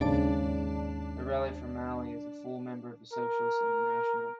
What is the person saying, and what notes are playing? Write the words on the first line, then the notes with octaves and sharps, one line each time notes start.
The Rally for Mali is a full member of the Socialist International.
D#2 G#2 C#3 D4 D5 A5
A#4